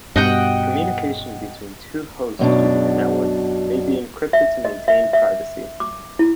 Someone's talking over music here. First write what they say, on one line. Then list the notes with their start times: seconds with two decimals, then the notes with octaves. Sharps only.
Communication between two hosts using a network may be encrypted to maintain privacy.
0.16 G2 B2 D#5 F#5 G5
2.39 F#2 B2 D4
4.33 E5
4.65 D#5
4.88 E5
5.13 E5
5.80 D6
6.19 E4